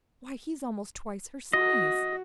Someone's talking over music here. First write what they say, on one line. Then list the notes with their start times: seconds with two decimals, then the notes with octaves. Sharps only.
"Why, he's almost twice her size."
1.53 F#4 D#5